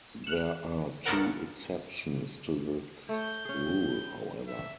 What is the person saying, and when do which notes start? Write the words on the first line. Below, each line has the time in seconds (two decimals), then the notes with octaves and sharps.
There are two exceptions to this rule, however.
0.24 F6 F#6 C#7 E7
1.06 C#2 F#2 C#3 A4 A#4 F#5
3.09 A3 A4 C#5 G6
3.45 C#4 G#4
4.48 E5